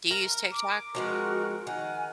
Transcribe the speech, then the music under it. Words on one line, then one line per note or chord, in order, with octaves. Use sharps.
Do you use TikTok?
A#4
D6
F3 G#3 C4 F#4 A#4
D#3 F#5 G#5